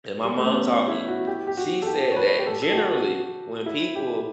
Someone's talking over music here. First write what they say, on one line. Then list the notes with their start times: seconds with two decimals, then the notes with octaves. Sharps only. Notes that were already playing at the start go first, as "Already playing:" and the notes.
that my mom taught me. She said that generally when people
0.24 G3
0.38 A3
0.46 C#4
0.53 B3
0.68 C#4
0.88 E4
1.08 F#4
1.27 G4
1.47 G4
1.57 F#4
1.82 A4
1.86 G4
2.12 C#5
2.16 B4
2.39 G4
2.47 A4
2.62 A4
2.71 G4
2.76 F#4
2.91 F#4
3.66 E4
3.95 G4